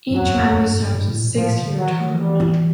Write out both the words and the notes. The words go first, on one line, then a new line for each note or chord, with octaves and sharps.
Each member serves a six-year term.
F2 F#3
F2
F2
F#2
G2
G2
G2
A2
A#2
A2 F3
A#2
D3
D#3 F#3
E3
D#3
F3
E3 G3